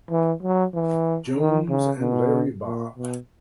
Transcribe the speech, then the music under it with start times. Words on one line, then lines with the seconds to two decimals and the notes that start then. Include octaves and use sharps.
Jones and Larrybob.
0.10 E3
0.42 F#3
0.74 E3
1.37 D#3
1.69 C#3
2.00 B2
2.63 A#2
2.95 B2